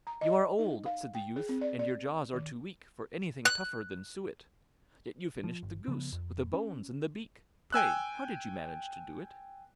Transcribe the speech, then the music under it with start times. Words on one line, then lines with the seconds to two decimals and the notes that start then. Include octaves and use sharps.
'You are old,' said the youth, 'and your jaws are too weak For anything tougher than suet; Yet you finished the goose, with the bones and the beak-- Pray how did you manage to do it?'
0.07 A#5
0.21 D#5
0.59 D#4
0.86 F5
1.15 G5
1.36 G#4
1.49 C4
1.61 D5
1.79 D5
2.34 D#3
3.45 F#6
5.44 F3
5.63 G1
5.88 C#3 F3 B3
6.12 F2
6.54 C#4
7.72 G5 G#5 E6 F#6